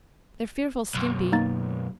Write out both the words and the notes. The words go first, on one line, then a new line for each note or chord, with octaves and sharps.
They're fearfully skimpy.
B1 F#2
A#3 D#4 A6